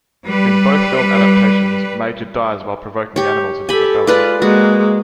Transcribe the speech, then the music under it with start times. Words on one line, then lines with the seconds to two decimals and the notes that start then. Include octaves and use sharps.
In both film adaptations, Major dies while provoking the animals into rebelling.
0.25 G3 B4
3.16 G4 C#5
3.69 G4 A4 G#5 B5
4.07 G#3 F4 B4 D5
4.42 G#3 A#3 F#4